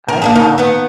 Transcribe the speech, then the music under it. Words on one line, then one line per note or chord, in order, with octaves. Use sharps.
I have
A#4
A#3 D4 G#4
D#4 A#4
D#3 B3